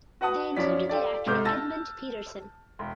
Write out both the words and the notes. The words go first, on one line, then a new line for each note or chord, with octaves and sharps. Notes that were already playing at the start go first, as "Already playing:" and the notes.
They included the actor Edmund Petersen.
F#4 B4 F#5 A5 D#6
F#2 F3 C#4 D5 B6
F4 G4 A4 D5
G#2 C3 A3 D6 F6 G6
A5 E6 A6 A#6
E1